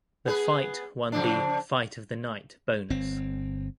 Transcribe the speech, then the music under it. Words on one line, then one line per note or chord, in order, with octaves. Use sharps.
The fight won the "Fight of the Night" bonus.
B3 G#4 B4
C#3 F3 D4
G1 C4